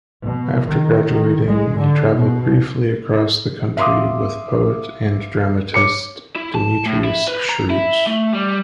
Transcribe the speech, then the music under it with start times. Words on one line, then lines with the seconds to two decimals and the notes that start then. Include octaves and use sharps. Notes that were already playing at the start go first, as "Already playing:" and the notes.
After graduating, he travelled briefly across the country with poet and dramatist Demetrius Schrutz.
0.21 B2
0.68 D#3
1.09 D#3
1.44 G#3
1.78 D3
2.16 B2
3.77 E5 F5 C6 D6 D#6
5.74 C#5 D6 C#7
6.36 E4
6.55 A5
6.86 A2
7.04 E4
7.28 B4
7.49 A#5
7.70 E4
8.07 A3
8.33 G3